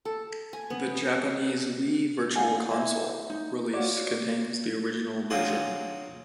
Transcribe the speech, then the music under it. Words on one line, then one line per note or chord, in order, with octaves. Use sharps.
The Japanese Wii Virtual Console release contains the original version.
A4
G#5
B3
D5 F5 F#5 G#5
E4 C5 D#5 E5
D#4
F4 F#4 C#5 D5
F#3 A#3 D4 F4 F#4 G#4